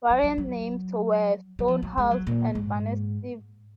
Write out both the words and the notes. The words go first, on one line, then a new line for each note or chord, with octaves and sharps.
Variant names were "Stone House" and "Barnetsville".
F#3
F#3
F#3
F#3
F3
F#3
G#3
F#3
A#2
G#2